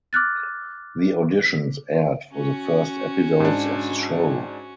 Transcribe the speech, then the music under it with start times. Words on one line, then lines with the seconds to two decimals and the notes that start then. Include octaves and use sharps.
The auditions aired for the first episodes of the show.
0.13 D6 F6 F#6 A6
2.33 C#4 F#4
3.40 G#2 D4